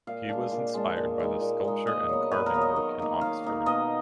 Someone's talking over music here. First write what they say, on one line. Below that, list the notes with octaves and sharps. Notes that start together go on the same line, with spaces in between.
He was inspired by the sculpture and carving work in Oxford.
A#2 F5
G#3 D4
A#2
G#3 D4
A#2
G#3 D#4
A#2
G#3 D#4
A#2 D#5
F#3 B3
A#2 B4
A#4
F#3 B3
D#5
D#3
A#3 D#4
D#3 F5
A#3 D#4
B2 D#5